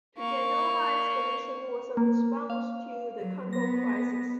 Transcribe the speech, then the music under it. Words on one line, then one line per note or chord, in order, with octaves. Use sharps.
To generalise, the mission was a response to the Congo Crisis.
A#3 C#6
A#3
F5
F#3
B3 A#6